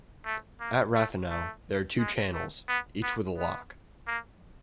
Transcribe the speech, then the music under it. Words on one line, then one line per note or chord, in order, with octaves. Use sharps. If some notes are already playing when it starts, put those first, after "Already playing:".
At Rathenow there are two channels, each with a lock.
A3
A#3
A3
A3
G#3
A3
B3
B3
B3
A#3